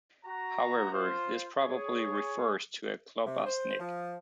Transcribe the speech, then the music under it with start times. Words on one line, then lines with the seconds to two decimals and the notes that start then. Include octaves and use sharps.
However, this probably refers to a klobasnek.
0.25 F#4 A#5
0.92 F4 C5
1.59 G#4 C#5
3.25 C3
3.46 C5
3.79 F3